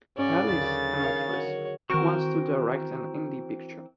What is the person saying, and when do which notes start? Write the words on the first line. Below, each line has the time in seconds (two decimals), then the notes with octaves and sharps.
Alice, an actress, wants to direct an indie picture.
0.17 G#2 C#3 C#4 F#4 D5 F#5
0.49 D#2 D3 F#3 A6
0.97 A#4 C#5 F5 E6
1.29 F#4 G#4 A#4 C#5 D#5
1.90 D#3 E3 C4 F#4 A#4 C#6